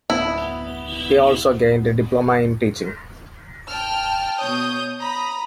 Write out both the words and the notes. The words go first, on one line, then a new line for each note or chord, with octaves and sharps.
He also gained a diploma in teaching.
D1 B3 E4
G5 A5 F6
B2 C#5 D#6 G6
A#5 B5 D#6